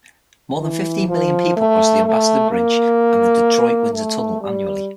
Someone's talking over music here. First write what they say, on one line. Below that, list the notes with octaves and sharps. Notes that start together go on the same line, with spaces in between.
More than fifteen million people cross the Ambassador Bridge and the Detroit-Windsor Tunnel annually.
E3
F3
A3
A3
A#3
A3
G3